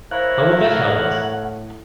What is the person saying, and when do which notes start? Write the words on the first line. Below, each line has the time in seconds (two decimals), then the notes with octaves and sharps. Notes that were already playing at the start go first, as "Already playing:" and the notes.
How will that help us?
0.11 E4 A#4 C5 C#5 F5 F#6
0.60 A2 F#5